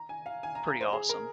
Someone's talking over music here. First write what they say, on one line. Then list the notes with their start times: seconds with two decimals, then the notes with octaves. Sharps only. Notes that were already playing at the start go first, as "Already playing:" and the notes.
pretty awesome.
Already playing: A#5
0.09 G#5
0.26 F5
0.43 G#5
0.55 A#5
0.67 A#5
0.81 C5
0.93 G#4
1.09 A#4